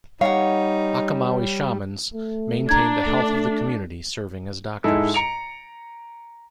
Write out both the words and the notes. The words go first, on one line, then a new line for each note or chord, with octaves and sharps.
Achomawi shamans maintained the health of the community, serving as doctors.
G3 D#4 C#5 F5 F#5
A3
D4 A#5 G#6
A3
G#2 G#3 E4 A4
A#5 C#7 D7 F7